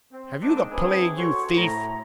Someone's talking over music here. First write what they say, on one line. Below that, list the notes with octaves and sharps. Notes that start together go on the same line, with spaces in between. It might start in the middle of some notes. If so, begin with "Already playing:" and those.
Have you the plague, you thief?
C4
D#3 G#3 A#3 C4 D4 D#4
B3 C4 D4 E4 G#4
F#4 A4 C5 C#5
A2 A#5